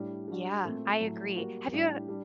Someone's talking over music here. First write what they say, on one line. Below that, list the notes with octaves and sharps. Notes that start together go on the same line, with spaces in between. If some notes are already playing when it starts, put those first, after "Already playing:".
Yeah, I agree. Have you ev
Already playing: A2 G3 D4
G3 D4 F#4
A#2 A3 C4
A2 F#3 A3
G3 A#3 F#4
A2 G3 D4 G4
G3 D4